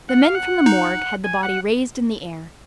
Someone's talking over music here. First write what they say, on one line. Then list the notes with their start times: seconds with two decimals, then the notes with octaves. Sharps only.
The men from the morgue had the body raised in the air.
0.09 F#5
0.22 F5
0.35 F#5
0.66 D#4
1.24 G#5
1.43 F#5